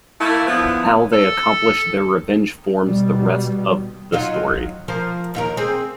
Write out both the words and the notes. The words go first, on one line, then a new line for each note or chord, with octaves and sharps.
How they accomplish their revenge forms the rest of the story.
A3 A#3 E4
D3 F3 B3 E4
A4
B2 G3
F#3 D#4 F4
F3 A#4 C5
D#2 F4 A#4
C4 G#4